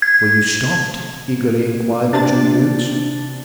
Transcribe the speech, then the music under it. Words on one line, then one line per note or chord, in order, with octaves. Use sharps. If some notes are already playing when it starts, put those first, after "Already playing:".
"Were you stopped?" eagerly inquired the two youths.
G#6
C3 D4 A6